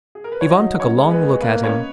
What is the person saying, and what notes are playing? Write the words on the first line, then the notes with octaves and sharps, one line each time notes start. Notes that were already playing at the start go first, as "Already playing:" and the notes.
Ivan took a long look at him.
G#4
A#4
B4
C#5
F#3 D#4 D#5
C#4 C#5
G#3
B3 B4
A#3 B3 B4
C#4 C#5